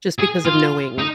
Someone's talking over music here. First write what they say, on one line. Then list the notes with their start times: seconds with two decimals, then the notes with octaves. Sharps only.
just because of knowing
0.19 G#4
0.45 F4
0.98 D#4